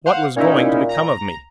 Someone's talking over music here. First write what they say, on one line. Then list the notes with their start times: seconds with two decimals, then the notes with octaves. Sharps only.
What was going to become of me?
0.06 C5 F5 F#5
0.36 A#2 C#4 D#4 E4
0.89 A#5